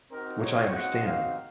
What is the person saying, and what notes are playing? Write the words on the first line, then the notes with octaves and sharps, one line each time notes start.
which I understand.
C4 D#4 F#4 A#4
C#5
F#5
F5